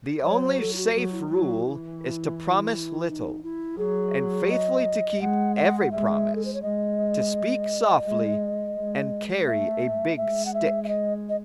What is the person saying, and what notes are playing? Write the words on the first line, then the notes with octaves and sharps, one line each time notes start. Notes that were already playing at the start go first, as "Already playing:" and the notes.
The only safe rule is to promise little, and faithfully to keep every promise; to "speak softly and carry a big stick."
F#3 C#5
C5
A4
E4
F#4
F#3 F#4
E4
D#4
F#3 E4
E4
F#4
E3 E4
D#4
E4
F#3 G#4
D#5
G#3 F#5
F#5
F#5
G#3 E5
A4
C5
C#5
G#3 D#5
G#3
G#3
A3 E5
G#3 E5
F#5
E5
E5
D#5
D#5